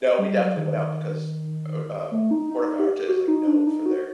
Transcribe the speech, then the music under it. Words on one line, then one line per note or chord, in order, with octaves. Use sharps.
No, we definitely went out because, oh um Puerto Vallarta is, like, known for their,
G3
F#3
D#3
D#3
A3
D#4
D#4
G4
F#4
D#4
D4
D#4
F#4